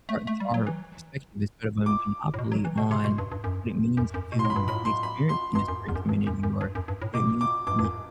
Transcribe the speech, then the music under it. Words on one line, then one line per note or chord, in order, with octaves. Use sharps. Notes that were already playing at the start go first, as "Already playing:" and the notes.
our our perspective is sort of a monopoly on what it means to be experienced in a certain community or what it means to be
A3
A3
G3
F#3
E3
D6
A2
B2
F#3
E3
B2
C3 C6
B2
G2
G2
F#2
F#2
F#2
B2
C6
A2
B5
G2
A2 B5
C6
B5
C6
G2 C6
F#2
E2
F#2
G2
F#2
F#2
G2
F#2
G2
A2
B2 D6
D6
G2 D6
G2
F#2